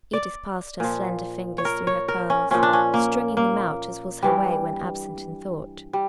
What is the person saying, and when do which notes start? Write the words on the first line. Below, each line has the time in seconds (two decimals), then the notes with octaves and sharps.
Edith passed her slender fingers through her curls, stringing them out as was her way when absent in thought.
0.13 D5
0.80 A#2 F3
1.58 C#5
1.65 A#4
1.87 C#5
2.08 A#4
2.30 C#4
2.51 A#2 F3 C#4
2.63 D4
2.73 C#4
2.94 A#3
3.37 A#3
4.23 G2 E3 G3
5.93 G3